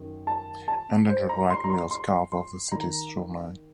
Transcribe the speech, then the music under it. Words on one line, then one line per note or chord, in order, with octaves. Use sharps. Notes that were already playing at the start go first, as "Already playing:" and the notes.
Endangered right whales calve off the city's shoreline.
Already playing: F#2 D#3
A5
A5
C5
A#5
C6
A#5
C6
C6
C6
D#3 A#5